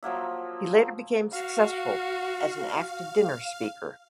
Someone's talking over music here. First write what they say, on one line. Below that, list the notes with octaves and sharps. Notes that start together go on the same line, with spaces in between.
He later became successful as an after-dinner speaker.
F3 F#3 A#3 E5
F#4 F5